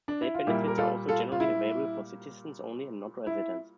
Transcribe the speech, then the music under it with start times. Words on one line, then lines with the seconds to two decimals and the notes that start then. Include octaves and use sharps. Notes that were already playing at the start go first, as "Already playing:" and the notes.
State benefits are also generally available for citizens only and not residents.
0.08 D4
0.22 E4
0.34 F4
0.47 A#2 G3 A#3 E4 G4
0.68 A#4
0.78 F4 A4
1.09 F4 A4
1.32 F4
1.40 E4
3.27 E4